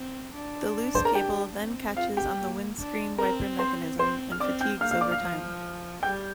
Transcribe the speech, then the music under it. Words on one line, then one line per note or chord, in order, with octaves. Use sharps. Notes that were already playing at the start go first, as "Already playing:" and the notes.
The loose cable then catches on the windscreen wiper mechanism and fatigues over time.
Already playing: C4
D4
C5 C6
A#4 A#5
G4 G5
C4
F4 F5
G4 G5
A#3
D4
C4 A#4 A#5
C5 C6
C4 C5 C6
F6
C4 D5 D6
G5 G6
A#3 F5 F6
F5 F6
D5 D6
F5 F6
F3
G3 G5 G6